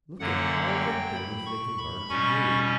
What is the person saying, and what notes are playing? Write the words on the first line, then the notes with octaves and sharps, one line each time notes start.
Look at all the things they can learn to do.
F#2 D3 F#3 A#3 F#5
G5
B5
C#6
B5
B2 G3 C#4 C#6